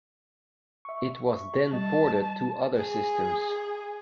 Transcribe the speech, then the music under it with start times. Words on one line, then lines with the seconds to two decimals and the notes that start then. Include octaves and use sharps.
It was then ported to other systems.
0.85 E5 C#6
1.73 G3 D#5 A5
2.77 G#4